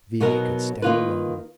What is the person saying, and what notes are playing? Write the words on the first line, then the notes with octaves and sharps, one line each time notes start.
V.V. could stand alone.
B2 F#3 B3 D#4 A#4
D#3 A#3 F4 B4